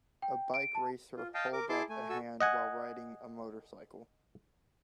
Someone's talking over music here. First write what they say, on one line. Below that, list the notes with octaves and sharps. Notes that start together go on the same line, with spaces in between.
A bike racer hold up a hand while riding a motorcycle.
G5
D7
A5
F4
D#5 F5 G5 A5
A#4 D6
E4 G#4 A5 C6 D6
A3 G#5
F#4 A4 G#5 E6
D#5 F#5 G#5